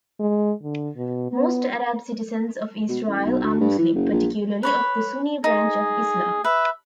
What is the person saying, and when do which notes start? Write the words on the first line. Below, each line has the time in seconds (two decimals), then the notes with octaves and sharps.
Most Arab citizens of Israel are Muslim, particularly of the Sunni branch of Islam.
0.20 G#3
0.63 D3
0.97 B2
1.32 B3
2.89 B2
3.07 A1
3.25 B1
3.43 D2
3.60 G2
3.78 E3
3.94 F#1
4.12 A#1
4.63 B4 C#5 B5
5.44 D#4 G#4
6.44 B4 E5